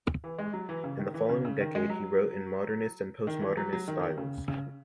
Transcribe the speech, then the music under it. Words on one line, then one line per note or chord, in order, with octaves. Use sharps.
In the following decade he wrote in modernist and post-modernist styles.
E3
G#3
F#3
E3
C#3
D#3
E3
C#3
C#3
D#3
G#3
F#3
D#3
E3
F#3
F#3
D#3
C#3
C#3